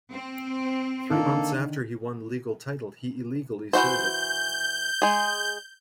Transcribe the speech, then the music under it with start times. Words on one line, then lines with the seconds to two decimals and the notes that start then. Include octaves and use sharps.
Three months after he won legal title, he illegally sold it.
0.12 C4
1.10 D3 D#3 A#3 A4
3.73 E3 F#4 C5 G6
5.02 G#3 G#4